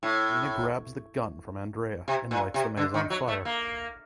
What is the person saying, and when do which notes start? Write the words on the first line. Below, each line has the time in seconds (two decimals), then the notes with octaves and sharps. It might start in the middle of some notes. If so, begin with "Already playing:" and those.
Meena grabs the gun from Andrea and lights the maze on fire.
0.03 A2
2.08 C3
2.31 A#2
2.54 C3
2.77 D3
2.94 D#3
3.10 F#3
3.28 A3
3.45 A#3